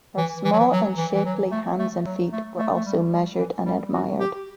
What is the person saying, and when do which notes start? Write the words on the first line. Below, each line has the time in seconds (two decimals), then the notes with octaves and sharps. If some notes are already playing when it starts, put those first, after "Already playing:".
Her "small and shapely" hands and feet were also measured and admired.
0.17 E3
0.44 E3
0.53 F#3
0.59 E3
0.72 F#3
0.98 E3
1.14 E3
1.25 F#3
1.51 A3
1.79 A3
2.06 F#3
2.32 A3
2.58 A3
2.76 A3
2.86 G3
3.13 G3
3.39 E3
3.65 G3
3.93 F#4
4.20 G4